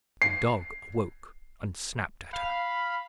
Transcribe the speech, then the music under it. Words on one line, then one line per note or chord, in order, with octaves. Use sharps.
The dog awoke, and snapped at her.
C7
F5 B5